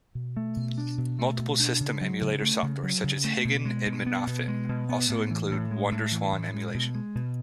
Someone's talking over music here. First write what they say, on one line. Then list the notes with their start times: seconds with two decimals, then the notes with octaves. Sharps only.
Multiple system emulator software such as Higan and Mednafen also include WonderSwan emulation.
0.15 B2
0.37 A3
0.56 B2
0.78 D4
0.98 B2
1.19 A3
1.39 B2
1.60 D4
1.80 C#3
2.01 F#3
2.21 C#3
2.42 A3
2.63 C#3
2.83 F#3
3.04 C#3
3.24 A3
3.45 B2
3.65 G#3
3.86 B2
4.06 B3
4.27 B2
4.48 G#3
4.69 B2
4.89 B3
5.10 A2
5.30 E3
5.51 A2
5.71 G#3
5.92 A2
6.12 E3
6.33 A2
6.54 G#3
6.74 B2
6.95 G#3
7.15 B2